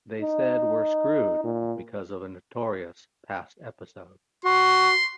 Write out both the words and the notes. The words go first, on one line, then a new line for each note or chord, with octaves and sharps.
They said we're screwed because of a notorious past episode.
D#4
A#2
F#4 C6